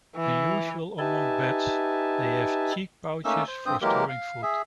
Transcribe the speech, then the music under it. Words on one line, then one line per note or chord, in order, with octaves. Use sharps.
Unusual among bats, they have cheek-pouches for storing food.
E3
D#4 G4 B4 E5 G#5 A5
A3 A#3 C#4 D#4 E6
C5
G2 C4 C5 D#6 G6
E3 F#3 G#3 A#3 G4 A#4
F5
G#4 E5